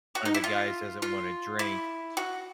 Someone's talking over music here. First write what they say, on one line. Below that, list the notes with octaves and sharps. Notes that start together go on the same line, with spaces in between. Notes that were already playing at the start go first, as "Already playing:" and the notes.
one of the guys doesn't wanna drink,
F#4
D#4
E4
F4
F4
E4
F#4